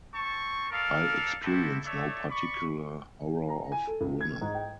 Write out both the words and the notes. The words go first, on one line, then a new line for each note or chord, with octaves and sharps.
I experience no particular horror of women.
C4 A5 C#6
A4 A#4 D5 F5
C4 E4 F#4 G4 A4
A3 A4 C#5 D5 E5
D5 B5 C#6
A#5
G#5
A4
C#2
G#6
G#2
G5